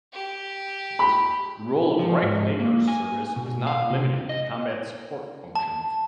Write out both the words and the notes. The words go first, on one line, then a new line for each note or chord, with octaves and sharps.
The role of the Reich Labor Service was not limited to combat support functions.
G4
B5
F3
G#2
A#3
G#5
B2
F5
C3
D#5
A5